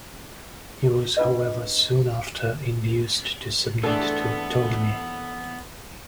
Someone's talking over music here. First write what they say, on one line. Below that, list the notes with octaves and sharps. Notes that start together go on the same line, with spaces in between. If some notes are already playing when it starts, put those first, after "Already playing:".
He was, however, soon after, induced to submit to Ptolemy.
D4 F4 B4 D#5
E3 A3 B3 C4 D4 G#4 A4